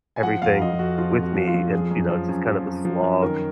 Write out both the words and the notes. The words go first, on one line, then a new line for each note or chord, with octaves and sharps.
everything with me and, you know, it's just kind of a slog
G#5
F3 F#5
F2 F5
F3 D#5
F2 F#4
F3 F4
F2
F#4
F3
F4
F2
F3 G#4
F#2
F3
F#2
F3
F#2
F3
F#2
D#3 A#4